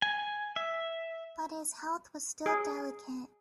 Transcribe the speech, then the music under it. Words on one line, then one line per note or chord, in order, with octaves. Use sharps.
But his health was still delicate.
G#5
E5
G#4